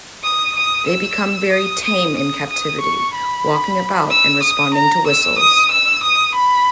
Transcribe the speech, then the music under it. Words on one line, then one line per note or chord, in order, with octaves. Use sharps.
They become very tame in captivity, walking about and responding to whistles.
D#6
D#6
E6
D#6
D#6
D#6
D#6
C#6
B5
E6
D#6
A#5
E6
D#6
E6
D#6
B5